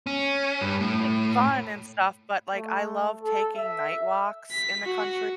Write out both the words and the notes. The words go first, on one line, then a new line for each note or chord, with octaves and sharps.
like, fun and stuff, but, like, I love taking night walks in the country
C#4
G2
A2
A3
A4
E5
B6
F#4